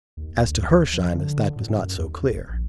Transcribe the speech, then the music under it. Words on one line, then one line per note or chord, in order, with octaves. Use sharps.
As to her shyness, that was not so clear.
D#2
D2
F3
D3
A2
F#2
D#2
G#1
A#1